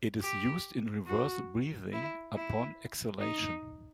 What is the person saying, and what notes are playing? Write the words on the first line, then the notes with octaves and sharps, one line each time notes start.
It is used in reverse breathing upon exhalation.
G4
F#4
E4
E4
D#4